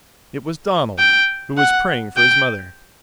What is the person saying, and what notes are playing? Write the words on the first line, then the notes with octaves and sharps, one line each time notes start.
It was Donald who was praying for his mother.
G5
F#5
G5